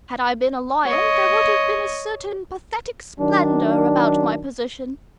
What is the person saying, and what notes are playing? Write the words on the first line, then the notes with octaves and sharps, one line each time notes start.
Had I been a lion there would have been a certain pathetic splendour about my position.
C#5 D#5
D#3 F#3 D4